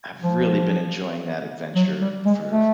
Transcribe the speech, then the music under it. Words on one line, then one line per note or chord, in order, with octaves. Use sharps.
I've really been enjoying that adventure for
F3
F#3
G3
G#3
A3